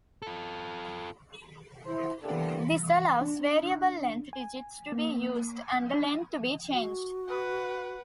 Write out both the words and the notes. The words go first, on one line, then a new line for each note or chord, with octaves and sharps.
This allows variable length digits to be used and the length to be changed.
F4 A4
E4 C5
A#3 B3 D4 E4 G4 A4
D4
G#5
A#3
D4
F#4
B4 F#5